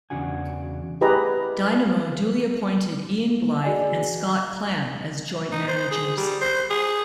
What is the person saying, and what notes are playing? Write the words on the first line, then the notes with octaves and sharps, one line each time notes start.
Dynamo duly appointed Ian Blyth and Scott Clamp as joint-managers.
E2 C#3 D4 F#4 G#5
E4 G4 G#4 B4 D#5 A#5
F#4 G#4 D5 D#5 G#5
D#4
C5
G#4
G3
C5
G#4